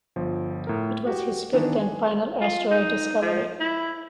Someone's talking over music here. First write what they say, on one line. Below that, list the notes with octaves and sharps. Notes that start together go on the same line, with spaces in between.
It was his fifth and final asteroid discovery.
G1 F3
A2 A#4
F#4 G4
D#3 E3 B3 D4
G#5
F4
D#4
F3
E4